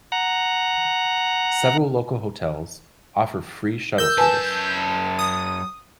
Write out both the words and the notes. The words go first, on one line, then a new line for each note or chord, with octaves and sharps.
Several local hotels offer free shuttle service.
F#5 A#5
A#4 E6 G6
F#2 B4 G#5 A5
D#6